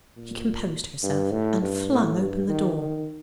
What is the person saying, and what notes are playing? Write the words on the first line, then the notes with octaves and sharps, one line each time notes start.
She composed herself and flung open the door.
A#2
G2
A2
G2
A2
G2
D#3
D#3